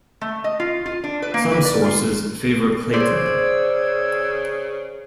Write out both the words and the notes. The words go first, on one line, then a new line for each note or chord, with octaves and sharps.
Some sources favour Clayton.
A3
D#5
F4
F4
D4
B4
A#3
B4
D5
F4
C#3 C5 D5 E6 G#6